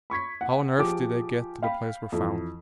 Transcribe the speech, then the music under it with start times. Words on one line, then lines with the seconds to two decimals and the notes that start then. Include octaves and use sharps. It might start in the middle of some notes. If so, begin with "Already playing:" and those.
How on earth did they get to the place where found?
0.10 B5 C#6 G#6 B6
0.41 F#5
0.78 F3 G4 G#4 D6
1.63 F5 G5 B5
2.12 F2 E3